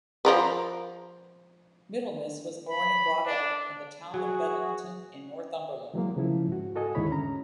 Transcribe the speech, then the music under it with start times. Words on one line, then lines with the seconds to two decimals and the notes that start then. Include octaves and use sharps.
Middlemiss was born and brought up in the town of Bedlington in Northumberland.
0.25 F3 A#4 B4
2.69 B5
3.26 D4
4.14 F#3 F#4 G#4
5.94 E3 F#3 G#3 A#3
6.16 C#3 F3 E4
6.48 G#2 F#4
6.76 F#4 A4 D#5 G#5
6.95 D#2 G#2 D3 E4 C#5 B5
7.10 C#4 A#5